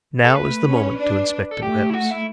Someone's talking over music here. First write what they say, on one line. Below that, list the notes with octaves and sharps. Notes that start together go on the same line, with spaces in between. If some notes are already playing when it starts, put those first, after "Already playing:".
Now is the moment to inspect the webs.
A4
A3 B4
C#4
D4
A4
A3 G4
E4
F#4
E4